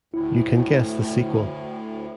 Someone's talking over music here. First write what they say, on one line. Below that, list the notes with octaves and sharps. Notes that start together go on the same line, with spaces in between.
You can guess the sequel.
D2 A2 E4